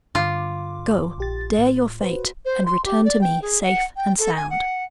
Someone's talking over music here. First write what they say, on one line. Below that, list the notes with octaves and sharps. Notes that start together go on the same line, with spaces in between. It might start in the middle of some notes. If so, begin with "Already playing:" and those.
Go, dare your fate, and return to me safe and sound.'
G2 D3 F4 D6
A#1 G4 A6
A2
F#4 B4 C5
C5
C6
G4
D5
G5
G#4
F#5
G5
A4
G#5
F#5